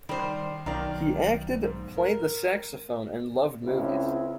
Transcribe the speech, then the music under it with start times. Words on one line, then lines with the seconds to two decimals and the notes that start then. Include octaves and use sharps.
He acted, played the saxophone, and loved movies.
0.09 D#3 G3 C5
0.66 B1 D#3 D5 F5 A#5
1.63 G#2
1.97 A#4
3.64 C#2 C#3 C4 C#4 E4